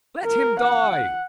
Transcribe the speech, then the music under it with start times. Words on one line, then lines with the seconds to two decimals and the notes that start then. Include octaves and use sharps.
'Let him die!
0.24 A#4
0.60 F#5